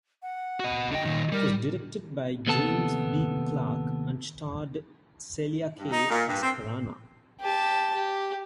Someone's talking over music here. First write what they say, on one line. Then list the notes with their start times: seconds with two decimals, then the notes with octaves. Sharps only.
It was directed by James B. Clark and starred Celia Kaye as Karana.
0.22 F#5
0.60 F#4 D#5
0.92 D3 D#5 G5
1.06 A#2 D#3
1.32 G3 A#4
2.47 D#2 C3 B3 A4 A5
5.79 G2
5.92 D#4
6.10 A#2
6.29 G2
6.43 C4
7.41 G4 A5
7.94 G4